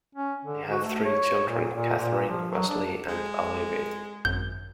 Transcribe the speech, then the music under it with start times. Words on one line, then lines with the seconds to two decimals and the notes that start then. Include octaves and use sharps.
They have three children, Katherine, Wesley and Olivia.
0.15 C#4
0.45 D3
0.71 F#4
0.84 A3
1.05 C#5
1.48 A#2
1.73 A#2
1.99 A#2
2.29 F3
2.51 F#3
2.68 D4
3.08 G#3
4.25 G#1 F#2 G6